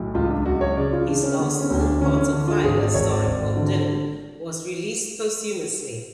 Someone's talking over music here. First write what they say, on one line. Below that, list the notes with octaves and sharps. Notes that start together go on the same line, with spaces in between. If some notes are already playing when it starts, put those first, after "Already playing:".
His last film, "Hearts of Fire", starring Bob Dylan, was released posthumously.
Already playing: B1 A2
C#2 F4
D4
C#2 F#4
C#5
C#3 D5
F4
C#3 D4
C#4
D3 B3
C#4
D2
D4
D3 C#4
C#4
D3 D4
F4
G#1 G#4
D5
G#1 C#5
D5
G#1
D3